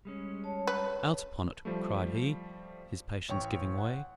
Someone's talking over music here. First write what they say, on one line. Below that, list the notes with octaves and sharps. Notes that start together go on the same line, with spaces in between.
"Out upon it!" cried he, his patience giving way.
G3 G#3 C#4
C#5 A5
B4
F3 G3 A3
A1 C#5 G5 C#6
F#5